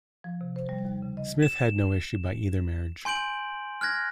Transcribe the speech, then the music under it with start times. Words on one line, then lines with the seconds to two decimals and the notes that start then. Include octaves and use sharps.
Smith had no issue by either marriage.
0.24 F3
0.41 C3
0.56 C5
0.69 G3
0.85 D#2
1.02 C#3
1.17 D#5
1.43 E7
3.05 G#5 C6 G6 D7 F#7
3.81 F6 F#6 G#6 A#6